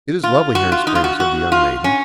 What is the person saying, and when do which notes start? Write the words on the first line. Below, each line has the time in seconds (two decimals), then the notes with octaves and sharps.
"It is lovely here in spring!" said the young maiden.
0.23 F4
0.55 F#4
0.72 F4
0.87 D#4
0.95 F4
1.04 F#4
1.20 F#4
1.52 F4
1.84 C#4